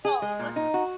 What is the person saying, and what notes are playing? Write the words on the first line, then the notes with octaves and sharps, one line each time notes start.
Well, what
G#4
G#3
A#2
D#4
F#4